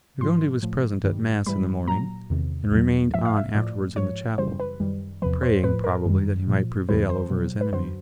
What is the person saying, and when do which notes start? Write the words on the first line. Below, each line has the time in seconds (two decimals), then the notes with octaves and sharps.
De Gondi was present at Mass in the morning and remained on afterwards in the chapel, praying, probably, that he might prevail over his enemy.
0.21 G#2 F3 C6
0.63 A2 F3
1.04 G2 D#3 G3
1.46 G#2 E3 G3 B5
1.88 A#2 F#3 A#5
2.30 E2 C3 D#3
2.71 E2 B2 F#3
3.13 G#2 F3 E5
3.25 F5
3.37 E5
3.55 A2 F3 D5
3.96 G#2 F3 C#5
4.38 F#2 C#3 E3 G3 C5
4.60 B4
4.80 F#2 D#3 G3
5.22 E2 C3 F3 B4
5.43 C5
5.64 A2 F3 B4
5.84 A#4
6.06 F#2 D#3 G3
6.47 A#2 F3
6.89 E2 C3 E3 G3 B4
7.09 C5
7.30 B2 F#3
7.61 B4
7.72 F#2 D3 F#3 C5